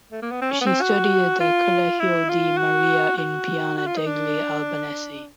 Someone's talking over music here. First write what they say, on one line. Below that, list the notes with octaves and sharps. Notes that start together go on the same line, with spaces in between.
She studied at the Collegio di Maria in Piana degli Albanesi.
A3
A#3
B3
C4
C#4
B3
C4
F#4
F4
E4
F4
F#4
F#4
F#4
F4
D#4
D4